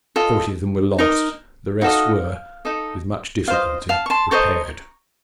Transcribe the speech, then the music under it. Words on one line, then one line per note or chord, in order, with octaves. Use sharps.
Forty of them were lost, the rest were, with much difficulty, repaired.
F4 A4 D#5
D#4 A#4 D#5
D#4 F#4 A4 D#5 F5
D#4 A4 D#5
F4 C5 D#5 F5
F5 A5
C#6
A5 C6
A4 C5 D#5 A#5 C#6